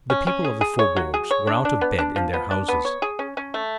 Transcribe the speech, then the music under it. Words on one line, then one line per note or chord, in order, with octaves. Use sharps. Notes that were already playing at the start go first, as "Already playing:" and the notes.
The people of the faubourgs were out of bed in their houses.
C#4
C#4
G#4
G#4
C#5
F#3
G#4
C#5
D4
D4
B3
D4
F3
B3
D4
B3
C#5
G#4
C#4
C#4
A3